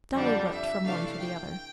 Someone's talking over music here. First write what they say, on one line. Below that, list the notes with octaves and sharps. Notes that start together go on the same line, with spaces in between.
Dolly looked from one to the other.
F2 D3 G3 D4 D5
E5
C3 E3 A3 D4 F5
G5